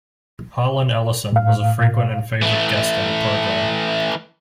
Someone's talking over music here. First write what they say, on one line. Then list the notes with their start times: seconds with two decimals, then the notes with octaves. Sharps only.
Harlan Ellison was a frequent and favorite guest on the program.
1.32 A2 F5
2.42 E3 A3